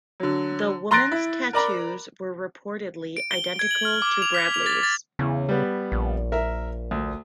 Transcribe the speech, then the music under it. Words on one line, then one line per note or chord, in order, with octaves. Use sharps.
The woman's tattoos were reportedly identical to Bradley's.
D3 F#3
A#5 C6 F#6 A6 A#6 D7
E4
A#4 D5 A#5 B5
D7
G7
G#6
F#7
F6
D6
F7
B6
F7
A6
A6
E2 C#3
G3 B3
A#1
A#4 E5
D2